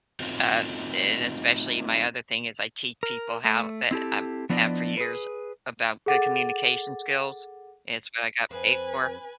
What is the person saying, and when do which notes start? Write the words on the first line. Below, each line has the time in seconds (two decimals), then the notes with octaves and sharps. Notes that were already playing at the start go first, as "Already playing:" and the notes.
uh and, especially my other thing is I teach people how eh I have for years, about good communication skills, it's what I got paid for,
0.20 A3 C4 D#4 F4 F#4
3.03 A#4
3.45 A3
3.91 C4 E4 G4 A4
4.50 F3 B3 D4 E4 D5 D#5
4.97 G#4 B4
6.06 G#4 A4 F#5 D6 A6
8.51 F2 C4 B4 G#5